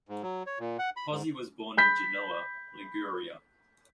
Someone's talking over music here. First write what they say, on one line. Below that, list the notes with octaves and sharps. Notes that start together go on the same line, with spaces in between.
Pozzi was born in Genoa, Liguria.
G#2
F#3
C#5
A#2
F#5
B5
G#2
B5 G6 B6